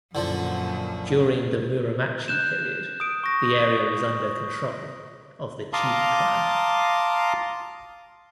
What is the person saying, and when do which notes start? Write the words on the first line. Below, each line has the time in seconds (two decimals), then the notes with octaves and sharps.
During the Muromachi period, the area was under control of the Chiba clan.
0.15 F#2 A#2 D3 F3
2.28 F#6 G6 E7
3.00 D#6 D7
3.24 C#6 A#6
5.73 F5 A5 A#5 C6 D6 D#6